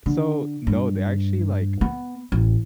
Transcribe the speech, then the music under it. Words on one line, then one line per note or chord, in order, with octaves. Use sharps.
so No, they actually, like
D3
G2
B3
A1